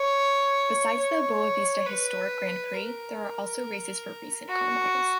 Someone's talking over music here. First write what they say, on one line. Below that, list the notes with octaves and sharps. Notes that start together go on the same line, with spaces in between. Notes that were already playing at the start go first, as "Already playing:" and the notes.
Besides the Boavista Historic Grand Prix, there are also races for recent car models.
Already playing: C#5
C#5
B4
A#4
F#4